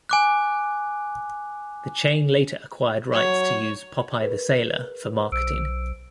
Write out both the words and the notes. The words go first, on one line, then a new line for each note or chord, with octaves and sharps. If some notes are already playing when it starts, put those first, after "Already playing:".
The chain later acquired rights to use "Popeye the Sailor" for marketing.
G#5 D6 F#6
F#3 C#5
G#4 A#4 B4
B1 C5 E6 D7